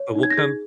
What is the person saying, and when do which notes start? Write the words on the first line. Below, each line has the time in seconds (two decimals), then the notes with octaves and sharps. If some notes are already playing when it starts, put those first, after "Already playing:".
and we'll come
Already playing: C#5
0.15 D#4
0.23 G#6
0.31 A#6
0.37 G#4 G#6